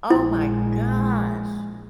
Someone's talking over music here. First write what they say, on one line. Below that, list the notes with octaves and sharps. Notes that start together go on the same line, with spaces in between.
Oh my gosh.
A#1 G#3 E4